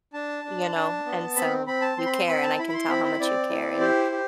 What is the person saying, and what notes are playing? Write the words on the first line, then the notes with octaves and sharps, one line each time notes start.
you know, and so, you care, and I can tell how much you care, and
D4 A5
D4
D4
B3
C4 B5
C4 B5
A5
C4 C6
B5
C6
C4 B5
A5
E4 B5
B5
C6
C4 B5
B5
C4 D5
E4
G4 C5
G4